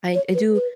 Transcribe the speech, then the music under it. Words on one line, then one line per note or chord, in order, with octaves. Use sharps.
I I do
C#5
B4
B4